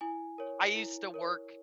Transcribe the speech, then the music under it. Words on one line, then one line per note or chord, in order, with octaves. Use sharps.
I used to work
E4 G#5
A#4 C#5
E4
A#4 C#5